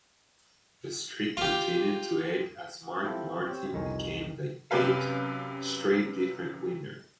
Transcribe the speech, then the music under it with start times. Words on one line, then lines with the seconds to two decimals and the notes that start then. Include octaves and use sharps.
The streak continued to eight as Mark Martin became the eight straight different winner.
1.37 F4 G4
3.04 F3 C4 E4 F4 G4 A4
3.47 C4 G4 C#5
3.73 C2 F2 D#3 C#5 G#5
4.71 F#2 C3 G4 B4 F5